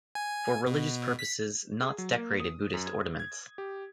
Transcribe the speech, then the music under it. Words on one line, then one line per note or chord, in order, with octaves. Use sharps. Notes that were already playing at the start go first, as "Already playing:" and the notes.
For religious purposes knots decorated Buddhist ornaments.
G#5
B2
B6
G#4
F#3
A#3
D#6
F#2
G#6
G#6
G4